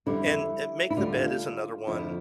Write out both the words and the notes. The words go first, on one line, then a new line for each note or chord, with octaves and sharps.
And, eh, make the bed is another one,
F2 D3 G3 E4
E4
D2 D3 G3 F4
F2 D3 F3 E4